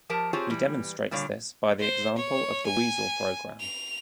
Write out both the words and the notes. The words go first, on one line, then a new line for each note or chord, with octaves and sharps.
He demonstrates this by the example of the weasel program.
F3 G4 A#4 A5
C4 F4 G4 G#4 C5 C#5
E3 G3
A#2 D3 G3 C#5 F5
C5
C#5
G#5
F7